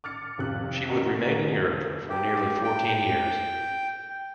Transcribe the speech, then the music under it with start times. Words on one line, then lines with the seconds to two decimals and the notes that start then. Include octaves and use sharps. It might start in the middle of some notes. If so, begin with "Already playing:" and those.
She would remain in Europe for nearly fourteen years.
0.04 D6 F6 A6 C#7
0.38 G#1 F2 C3 F4 F#6
0.88 C#4 F#4 A#4 D#5
2.09 G4
2.64 G5